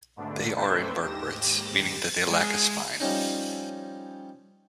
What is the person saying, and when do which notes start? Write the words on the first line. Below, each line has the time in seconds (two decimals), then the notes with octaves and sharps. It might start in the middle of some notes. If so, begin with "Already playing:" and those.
They are invertebrates, meaning that they lack a spine.
0.16 G#2 B2 D3 A3 D4
0.56 A3 D4 B4 C5 E5 G5
1.04 D#2 G#2 G4 A#6 E7
2.30 G#3 G#4
3.00 F3 G3 C#4 D#4